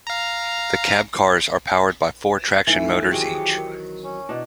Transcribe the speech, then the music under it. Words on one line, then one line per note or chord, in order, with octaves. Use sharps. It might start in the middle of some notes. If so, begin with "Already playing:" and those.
The cab cars are powered by four traction motors each.
F5 A#5
E3 A3 D#4
D#3 F#3 C4 G4 G#4 G#5
D#6 C#7
A#4
C#4
B2 D4 E4